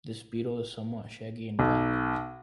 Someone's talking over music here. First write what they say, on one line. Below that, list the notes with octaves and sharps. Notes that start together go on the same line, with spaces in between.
This beetle is somewhat shaggy and black.
B1